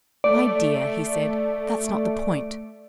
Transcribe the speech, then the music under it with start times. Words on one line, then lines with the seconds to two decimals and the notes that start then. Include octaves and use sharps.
'My dear,' he said, 'that's not the point.
0.24 A3 D5